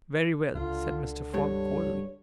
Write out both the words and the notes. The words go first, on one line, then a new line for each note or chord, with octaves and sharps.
"Very well," said Mr. Fogg, coldly.
C#2 D3 F4
G2 C#5